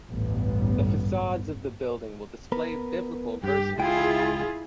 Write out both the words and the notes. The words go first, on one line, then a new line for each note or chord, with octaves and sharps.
The facades of the buildings will display biblical verses.
A1 D2 G2 G3 B3
B3 A#4 B4
G2 G4
C#2 G#3 E4 F4 G#4 G5